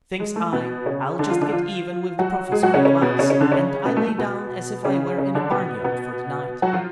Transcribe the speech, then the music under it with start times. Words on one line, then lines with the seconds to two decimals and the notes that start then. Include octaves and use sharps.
Thinks I, I'll just get even with the Professor at once, and I lay down as if I were in a barnyard for the night.
0.20 G#3
0.36 A3
0.53 B2 B3
0.86 C#3 C#4
1.19 D3 D4
1.30 F3 F4
1.41 D3 D4
1.52 F3 F4
2.19 F#3 F#4
2.52 G#3 G#4
2.63 F#3 F#4
2.74 C#3 C#4
2.85 C#3 C#4
3.01 B2 B3
3.19 C#3 C#4
3.30 C#3 C#4
3.41 D3 D4
3.51 C#3 C#4
3.85 B2 B3
3.97 A3
4.07 A3
4.18 B2 B3
4.85 C#3 C#4
5.18 C#3 C#4
5.35 D3 D4
5.51 B2 B3
5.84 B2 B3
6.62 F#3 F#4
6.73 F3 F4